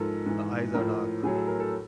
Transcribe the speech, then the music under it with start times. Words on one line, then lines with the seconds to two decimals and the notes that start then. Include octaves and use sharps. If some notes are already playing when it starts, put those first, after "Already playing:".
The eyes are dark.
Already playing: G#2 F3 A4 A#4
0.26 G#2 E3
0.74 A2 F3 A#4
1.23 A2 F#3 G#4
1.35 A4
1.48 A#4
1.60 A4